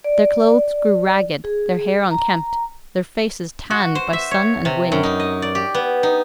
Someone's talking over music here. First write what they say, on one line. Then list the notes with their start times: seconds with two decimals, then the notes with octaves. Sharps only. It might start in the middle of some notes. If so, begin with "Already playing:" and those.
Their clothes grew ragged, their hair unkempt, their faces tanned by sun and wind.
0.04 D5
1.44 G#4
2.11 A#5
3.70 F#4
3.95 C5
4.13 E5
4.31 C#5
4.65 C3
4.92 F#2
5.03 D#4
5.19 D#5
5.42 D5
5.55 G4
5.74 B3
6.03 D#4